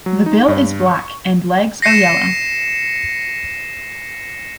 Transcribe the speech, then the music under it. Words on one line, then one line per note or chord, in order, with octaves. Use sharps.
The bill is black and legs are yellow.
F#3
D#4
G2
C#6
A#6 C7 C#7 D#7 E7